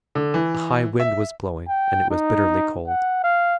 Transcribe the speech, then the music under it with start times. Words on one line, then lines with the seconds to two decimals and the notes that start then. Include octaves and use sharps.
A high wind was blowing and it was bitterly cold.
0.15 D3
0.34 E3
1.00 E5
1.68 G5
2.11 D#4
2.88 F#5
3.24 F5